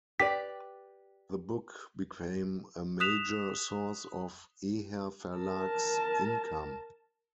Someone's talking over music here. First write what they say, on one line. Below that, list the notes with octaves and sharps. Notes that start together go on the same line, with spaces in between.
The book became a major source of Eher-Verlag's income.
G4 B4 D5 B6
D#6 F#6 B6 E7 F7
A#4 A5